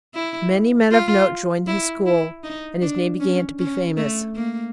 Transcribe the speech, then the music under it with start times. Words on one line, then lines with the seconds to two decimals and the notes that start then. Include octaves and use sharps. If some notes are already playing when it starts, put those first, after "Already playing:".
Many men of note joined his school, and his name began to be famous.
0.15 E4
0.91 F4
1.68 E4
2.06 E4
2.44 D#4
2.82 D4
3.20 C#4
3.59 C#4
3.97 A3
4.36 A#3